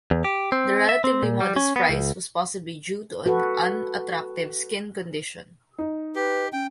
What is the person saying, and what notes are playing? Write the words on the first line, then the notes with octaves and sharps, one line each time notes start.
The relatively modest price was possibly due to an unattractive skin condition.
E2
G4
C4
E5
C4
A#2
G3
C#4
B3
C#2
F#4 A4 B4
D#4
G4 B4
C#4 G5